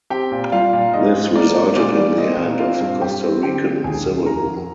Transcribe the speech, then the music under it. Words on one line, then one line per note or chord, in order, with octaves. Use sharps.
This resulted in the end of the Costa Rican Civil War.
C4 G4 G5
A#2
G3 F4 F5
A#2
G#2 D#5
G#2
A#3 D5
G#2
A#2 D5
G3
C4 D#5
A#2
C4 F4 F5
G2
G2 G4 G5
C4
D3 G4 G5
G#3
D#2 G#4 G#5
D#2
F2 A#4 A#5
F2